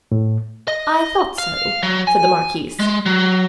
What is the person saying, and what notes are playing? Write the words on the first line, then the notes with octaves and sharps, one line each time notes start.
"I thought so," said the marquise.
A2
D#5
F5
F#3
G#5
G#3
F#3